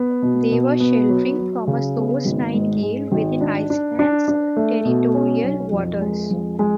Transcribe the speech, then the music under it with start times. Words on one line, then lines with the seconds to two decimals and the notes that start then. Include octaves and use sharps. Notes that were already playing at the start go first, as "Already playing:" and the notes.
They were sheltering from a force nine gale within Iceland's territorial waters.
Already playing: B3
0.22 B2
0.51 B2
0.80 B3
1.09 F#3
1.39 F#3
1.67 C#3
1.96 B3
2.25 G#1
2.54 G#2
2.83 G#3
3.12 G#1
3.41 D4
3.70 D4
3.99 D4
4.28 D4
4.57 A3
4.85 B2
5.14 C#4
5.43 B1
5.72 F2
6.01 G#3
6.30 F2
6.59 G#3